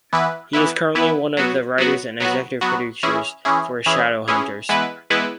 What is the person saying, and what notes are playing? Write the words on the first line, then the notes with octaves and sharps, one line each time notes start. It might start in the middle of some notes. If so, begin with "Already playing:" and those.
He is currently one of the writers and executive producers for Shadowhunters.
E3 B3 E4 B4
E3 B3 E4 B4
E3 B3 E4 B4
F#3 B3 F#4
F#3 B3 F#4
F#3 B3 F#4
F#3 B3 F#4
E3 C#4 E4 G#4
E3 C#4 E4 G#4
E3 C#4 E4 G#4
E3 C#4 E4 G#4
E3 G#3 B3 E4 B4
E3 G#3 B3 E4 B4